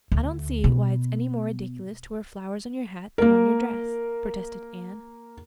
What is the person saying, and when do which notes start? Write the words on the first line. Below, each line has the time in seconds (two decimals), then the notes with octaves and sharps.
"I don't see why it's any more ridiculous to wear flowers on your hat than on your dress," protested Anne.
0.12 D2
0.64 B2
3.18 A#3 A#4